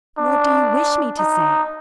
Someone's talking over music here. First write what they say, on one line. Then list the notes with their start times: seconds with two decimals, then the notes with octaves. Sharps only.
"What do you wish me to say?"
0.18 D4
1.19 D#4